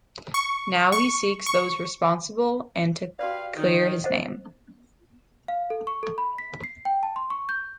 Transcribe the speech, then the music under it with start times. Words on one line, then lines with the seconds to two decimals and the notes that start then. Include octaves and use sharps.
Now he seeks those responsible and to clear his name.
0.34 C#6
0.92 C#6
1.46 C#6
3.19 F#4 G4 B4 D5 F5
3.56 D#3
4.04 C5 D#5 F#5
5.48 F5
5.70 A4
5.87 C#6
6.03 A4
6.18 B5
6.38 B6
6.64 C7
6.85 G5
7.03 A5
7.16 C6
7.30 C#6
7.49 G6